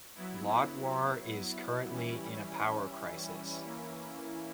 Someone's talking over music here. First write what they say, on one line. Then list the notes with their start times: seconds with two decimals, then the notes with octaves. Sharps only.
Lodwar is currently in a power crisis.
0.15 F#3 B3 E4
1.88 E3 G3 C#4 E4
3.62 E3 A#3 C#4 E4